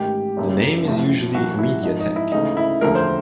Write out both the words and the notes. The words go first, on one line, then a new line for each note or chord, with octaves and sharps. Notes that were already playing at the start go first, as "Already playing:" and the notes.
The name is usually a media tag.
Already playing: A1 G#2 D#3 G4
F#1 F#2 C#3
A1 A2 F3
C2 A#2 F3 F#4
E4
G#1 G#2 F3 D#4
D#4
E4
D2 C#3 E3 D#4
E4
E1 D2 D3 F3 A#4
C5